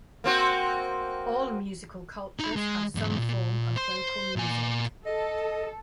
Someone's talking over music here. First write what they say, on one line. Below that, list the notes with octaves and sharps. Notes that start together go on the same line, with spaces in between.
All musical cultures have some form of vocal music.
A#3 C4 F#4
D#4 B5
G#3
E2 G#2
A#2
C5 C6
A#2 G#5
A4 D#5